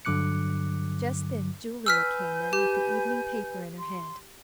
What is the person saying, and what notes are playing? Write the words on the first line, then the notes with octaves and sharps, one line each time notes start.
Just then Julia came in with the evening paper in her hand.
G2 D3 F#3 D6 F#6 C#7
B4 G#5 E6 F6 G6 B6
G4
C6